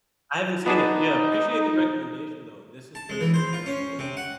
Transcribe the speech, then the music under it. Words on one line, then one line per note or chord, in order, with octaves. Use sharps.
I haven't seen it. Yeah, appreciate the recommendation, though, and this has been a great conversation.
B3 D4 D#4 G#4
A5
G#3
E3
C5
F4
C#4
C3
F#5